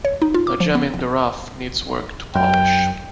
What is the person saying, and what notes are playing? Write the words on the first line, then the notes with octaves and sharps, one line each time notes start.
A gem in the rough needs work to polish.
C#5
D#4
F4
D6
F3
B3
A#1
F#2 G5